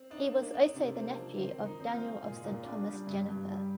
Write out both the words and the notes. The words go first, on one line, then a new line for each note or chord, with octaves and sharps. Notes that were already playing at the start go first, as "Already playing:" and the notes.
He was also the nephew of Daniel of Saint Thomas Jenifer.
Already playing: C4
D4 D#4
A#3
D4 D#4
C3
A#3 C4
F3
D#3 C4
D#3
D#4
C4
F4
G#3
A#2 G#4
A#2
D4
G3
G2
G2
G3